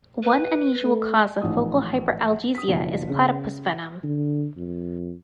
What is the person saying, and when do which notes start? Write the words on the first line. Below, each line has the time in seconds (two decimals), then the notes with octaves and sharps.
One unusual cause of focal hyperalgesia is platypus venom.
0.23 B4
0.83 A3
1.41 A1 G#2 F3 D#6
2.55 D#6 B6
2.68 F#1 B2 D#3 F3
3.10 C#3
4.04 D3
4.57 F2